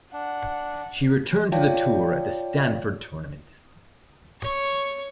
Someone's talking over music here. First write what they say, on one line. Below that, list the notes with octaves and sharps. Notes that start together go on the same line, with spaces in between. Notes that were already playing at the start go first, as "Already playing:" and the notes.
She returned to the tour at the Stanford tournament.
D4 F#5
F4 C#5 D5 F5 G5 A5
C#5 C#6